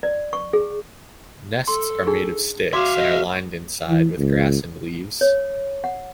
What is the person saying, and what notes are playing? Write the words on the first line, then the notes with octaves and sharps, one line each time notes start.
Nests are made of sticks and are lined inside with grass and leaves.
D5
C#6
G#4
A4 C6
D4 D#4 G#4
F#4 D5 E5 F5 C6 D6
D#5
E3
C#2
C#5
F#5